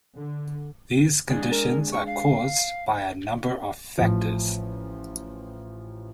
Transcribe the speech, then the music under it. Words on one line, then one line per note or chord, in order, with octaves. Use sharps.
These conditions are caused by a number of factors.
D3
G#3 D4 G#4
A#4
C#6
F5
A1 F3